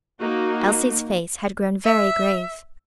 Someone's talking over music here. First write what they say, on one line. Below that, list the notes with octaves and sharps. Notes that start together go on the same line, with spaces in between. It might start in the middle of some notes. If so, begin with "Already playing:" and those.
Elsie's face had grown very grave.
A#3 D#4 F#4
E5